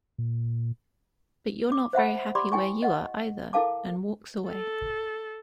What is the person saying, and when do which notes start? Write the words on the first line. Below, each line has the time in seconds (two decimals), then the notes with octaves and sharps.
But you're not very happy where you are, either, and walks away.
0.18 A#2
1.72 D6
1.93 C5 E5 F#5 B5
2.35 G4 D5 B5 C6 D6
2.52 E4 G5 G#5 C#6
2.82 D#5 F#5
3.53 E4 A4 A#4 F5 A5 D6
4.48 A4